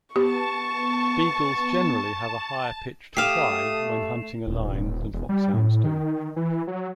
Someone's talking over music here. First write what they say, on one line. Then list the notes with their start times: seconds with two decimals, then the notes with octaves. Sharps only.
Beagles generally have a higher pitched "cry" when hunting a line than foxhounds do.
0.16 B3 G4 A5 C#6
3.17 A3 G4 F5 D#6 C7 E7 F7
4.47 D#1
5.14 E1
5.29 G3
5.54 A2
5.84 D#3
6.36 E3
6.67 F#3